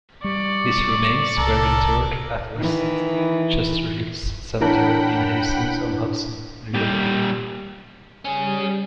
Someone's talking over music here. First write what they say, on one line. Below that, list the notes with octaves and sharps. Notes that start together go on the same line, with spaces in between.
His remains were interred at Westchester Hills Cemetery in Hastings-on-Hudson, New York.
G3 D5 C#6
C2 A4 A#4
D#3 E3
E3 D4 A#4 C#5 F#5 G5 A5 B5
A#2 G3
G3 C#4 G#4